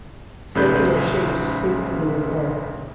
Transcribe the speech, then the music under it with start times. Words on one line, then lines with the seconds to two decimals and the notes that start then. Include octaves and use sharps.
Circular shapes frequently recur.
0.55 A#1 G#2 C#3 G#4 B4 G6